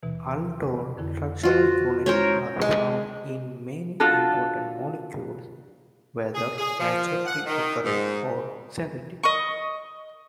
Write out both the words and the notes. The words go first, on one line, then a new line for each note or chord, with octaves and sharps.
Aldol structural units are found in many important molecules, whether naturally occurring or synthetic.
D#2 B2 E3
F2 D3 E4
F4 F#4 D#5
G#3 C#4 E4 A#4 C5 C#5
G#3
D4 F4 F#4 A4
G#4
G#4
F3
F#5
D#3
G#2
D#5 C#6